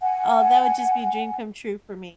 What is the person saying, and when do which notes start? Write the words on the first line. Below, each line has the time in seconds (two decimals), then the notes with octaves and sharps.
oh, that would just be a dream come true for me.
0.01 F#5 G#5